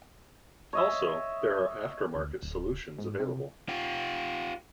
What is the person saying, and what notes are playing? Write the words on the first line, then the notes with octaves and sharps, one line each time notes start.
Also, there are aftermarket solutions available.
C#5 D#5 E5
D2
D1
G#2
C3
F4 G4